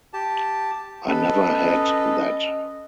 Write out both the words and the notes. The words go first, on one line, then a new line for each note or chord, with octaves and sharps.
I never had that.
G4 A5
C#4 A4 B4 D#5